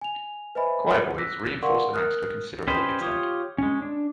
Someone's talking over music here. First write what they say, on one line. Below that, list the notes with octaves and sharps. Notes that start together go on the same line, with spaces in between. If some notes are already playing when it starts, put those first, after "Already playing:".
Choirboys reinforce the ranks to a considerable extent.
G#5 F7
B4 C5 D#5 E5 G#5 B5
D6 E6 F#6 A#6 B6
A#4 D5 F5 F#5 C6 C#6
A#4 D#6 F6 F#6
C#4 G4 B4 C5 D#5
F4 G4 C#5 D#6
G#3 C#4
D4